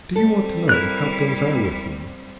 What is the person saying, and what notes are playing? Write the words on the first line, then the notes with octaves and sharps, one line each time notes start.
"Do you want to know--how things are with me?"
G3 C4 A4
E4 A#4 F#6